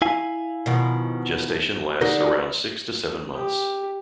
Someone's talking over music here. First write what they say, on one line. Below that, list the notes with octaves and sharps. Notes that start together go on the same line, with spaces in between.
Gestation lasts around six to seven months.
E4 F5 G#5
B2 D#3 F3
D3 D#4 G4 A#4
G4